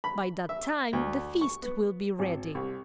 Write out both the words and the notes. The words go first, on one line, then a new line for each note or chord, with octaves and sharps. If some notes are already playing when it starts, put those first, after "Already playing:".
By that time the feast will be ready.'
B5
E5
D2
C#6
B3
G#1
C2